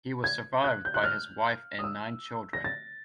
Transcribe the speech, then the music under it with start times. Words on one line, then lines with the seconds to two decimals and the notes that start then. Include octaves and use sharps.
He was survived by his wife and nine children.
0.24 G#6
0.64 F#6
0.85 G6
0.94 F#6
1.04 F6
1.79 D#6
1.84 E6
2.53 A#6
2.64 A6